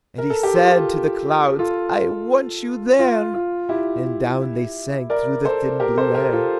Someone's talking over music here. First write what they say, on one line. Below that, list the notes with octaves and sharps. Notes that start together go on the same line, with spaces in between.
And he said to the clouds, "I want you there." And down they sank through the thin blue air.
A#4
A4
G4
F4 A4
F4 A4
F4
F4
E4 G4
A#4 D5
A4 C5
G4 A#4
A4 C5
G4 A#4
F4 A4